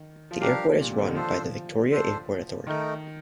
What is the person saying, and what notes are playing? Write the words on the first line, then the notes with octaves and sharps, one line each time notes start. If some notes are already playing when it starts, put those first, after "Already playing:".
The airport is run by the Victoria Airport Authority.
Already playing: D#3
F3
G3 D4 G4 A#4 F5
A#2
C3
D3
D#3
F3 D4 A4 C5
D4 A4 C5
D#3 A3 D#4 A#4